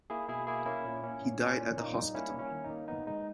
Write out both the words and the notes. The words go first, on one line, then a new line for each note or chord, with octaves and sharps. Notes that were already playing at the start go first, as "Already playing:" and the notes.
He died at the hospital.
A#3 E4 G#4
B2 E4 G#4
A#3 E4 G#4
A#3 C#4 E4
A#2
A#3 C#4
A#2
A#2 C#4
A#2
A#3 D#4
G3
A#3 C#4 E4
A#3
C#4
D#3
D#4
A#3
B3 D#4
G#3 D#4